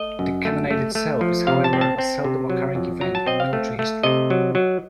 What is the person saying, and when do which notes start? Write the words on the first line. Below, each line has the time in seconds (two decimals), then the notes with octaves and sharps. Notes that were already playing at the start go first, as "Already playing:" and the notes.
The cannonade itself is however a seldom occurring event in military history.
Already playing: A3 D#5
0.19 F#2
0.45 A3
0.70 A3
0.95 A3
1.21 F3
1.47 C3 F5
1.64 A5
1.73 C4
1.81 A5
1.98 C4
2.24 C3
2.50 F#3
2.75 F2
3.01 F#3 A#5
3.15 A5
3.27 C4 D#5
3.40 F5
3.53 A3
3.79 A3
4.03 C3 D#5
4.30 F#3
4.55 F#3